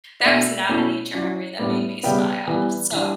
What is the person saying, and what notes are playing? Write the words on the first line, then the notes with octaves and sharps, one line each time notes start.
that was not a nature memory that made me smile, so
D5
B2 A3 D4 E5
B2 A3 C#4 E4
F#3 C#4 E4 D5
A2 G3 B3 D4 D5
C#3 G3 B3 G5
E3 G3 B3
E3 G3 D4